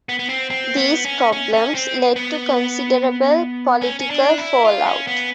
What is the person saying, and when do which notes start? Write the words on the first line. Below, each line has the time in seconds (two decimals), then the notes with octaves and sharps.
These problems led to considerable political fallout.
0.09 B3
0.19 B3
0.29 C4
0.50 C4
0.77 B3
1.05 C#4
1.32 C#4
1.54 C#4
1.74 C4
2.16 B3
3.82 C#4
4.00 C#4
4.10 D4
4.38 E4
4.65 F4
4.86 C#4
5.07 B3